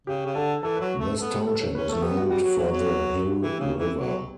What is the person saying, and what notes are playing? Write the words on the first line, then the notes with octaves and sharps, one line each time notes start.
This township was named for the Hill River.
C#3 G4
C#3
D3 A4
E3 A4
F#3 B4
A3
A4
B3 A4
G4
A4
C#5
C#4 B4
A3 A4
B3 G4
F#4
G3 F#4
F#3
F#3
F#3
E3 G4
C#3
E3
F#3